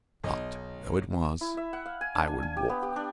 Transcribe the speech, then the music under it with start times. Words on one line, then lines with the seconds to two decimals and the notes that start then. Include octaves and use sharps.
Hot though it was, I would walk.
0.24 B1 D#5
1.41 E4
1.57 E5
1.73 F#5
1.86 F5
2.01 G#5
2.15 D4
2.28 G#5
2.43 G#5
2.57 G4
2.69 B3
2.83 G4
2.96 D4